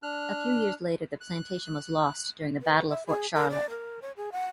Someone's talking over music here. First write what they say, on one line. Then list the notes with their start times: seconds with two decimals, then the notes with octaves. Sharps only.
A few years later the plantation was lost during the Battle of Fort Charlotte.
0.03 D4 F6 F#6
1.21 F#6
2.62 B4
2.89 E5
3.06 G#4
3.34 A#4
3.50 D5
3.70 A#4
4.02 C#5
4.17 G#4
4.32 F#5